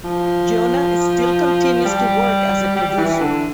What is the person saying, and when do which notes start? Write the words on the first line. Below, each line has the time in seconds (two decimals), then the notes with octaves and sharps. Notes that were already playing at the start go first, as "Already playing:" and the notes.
Jonah still continues to work as a producer.
0.04 F3
1.85 G3
2.76 G3
2.98 E3
3.21 D3